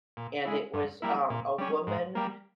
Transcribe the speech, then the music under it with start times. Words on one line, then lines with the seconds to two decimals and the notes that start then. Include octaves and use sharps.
and it was, um, a woman
0.17 A#2
0.45 G#3 E4
0.74 G2
1.02 G3 A#3 E4
1.30 A#2
1.58 G3 C#4
1.87 G#2
2.15 G3 A#3